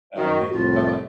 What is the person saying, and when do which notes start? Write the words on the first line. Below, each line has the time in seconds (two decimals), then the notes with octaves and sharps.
All right. Thank you. Bye-bye.
0.17 F#2 D#3 F#4
0.53 C2 F2 A2 F4